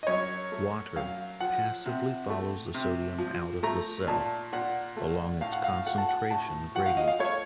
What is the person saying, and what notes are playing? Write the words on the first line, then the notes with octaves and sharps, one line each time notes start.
Water passively follows the sodium out of the cell along its concentration gradient.
D#5
F#2 C#5
A3
F#2 F5
F3 F#5
C3
A3
C3
F3
A3 A#5
A#2 A5
A#2 F#5
A3
A2 F5
F#5
F5
A3 F#5
A5
F#5
A2 A5
F3 F#5
F5
D#5
F5
A3 C#5